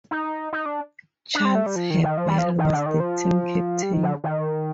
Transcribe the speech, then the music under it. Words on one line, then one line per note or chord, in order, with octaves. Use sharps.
Charles Hubbell was the team captain.
D#4
D#4
D4
D4
C4
A3
G3
F3
D#3
D#3
F3
G3
F3
D#3
D3
D#3
F3
G3
D#3
D3
D#3